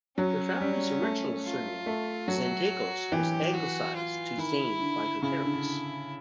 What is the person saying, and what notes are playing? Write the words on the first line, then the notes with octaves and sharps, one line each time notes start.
Her family's original surname, "Zanetakos", was anglicized to "Zane" by her parents.
F#3 C#4
G3
A3
F4
A3
F#3 F#4
E3 G4
F#4
F4
D#3 E4
D3
C#3 E4
D3
D3